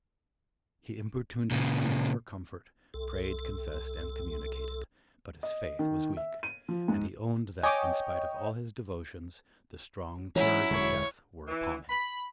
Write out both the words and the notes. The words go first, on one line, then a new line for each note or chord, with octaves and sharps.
He importuned his priests for comfort, prayed, confessed, and communicated: but his faith was weak; and he owned that, in spite of all his devotions, the strong terrors of death were upon him.
A#2 C#3
C2 A4
D#5
D#3
E5
D#7
F3
G#2
C#5 D#5 G5 G#5 D6
E3 F#3 G#3 C#4 E4
E1 D3 G#3 C#5
E3
B5